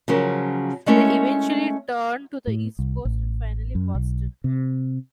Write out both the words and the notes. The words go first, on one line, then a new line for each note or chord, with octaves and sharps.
They eventually turned to the East Coast and finally Boston.
C#3 F3 F#3 C#4 A#4
G#3 A3 C#4 E4 A#4
A2
C2
A1
F#2
B1
C3